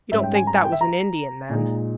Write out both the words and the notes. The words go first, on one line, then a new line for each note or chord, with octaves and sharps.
"You don't think that was an Indian, then?"
G#2 G3 C#4 E5
G5
G#5
A#5
G#5
G5
E5
A#5
A#2 G#3 D#4